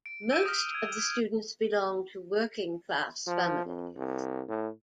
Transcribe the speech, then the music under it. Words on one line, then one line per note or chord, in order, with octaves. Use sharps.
Most of the students belong to working class families.
D7
E6 G6 D#7 E7
D#6 F6
G#6 D7
F3
F2
C2
A2